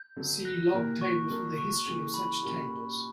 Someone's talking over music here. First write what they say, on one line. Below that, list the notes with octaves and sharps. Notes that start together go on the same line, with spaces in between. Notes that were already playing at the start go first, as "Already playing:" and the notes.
See log table for the history of such tables.
Already playing: G6
D3 F#3 B3
F#6 A#6
A#2 A#3 E4 G4 A#4
C#6
F#3 A#3 D4 A#4
C#6
C#3 E3 A#3
B5
A#2 G3 A#3 C#4 F#4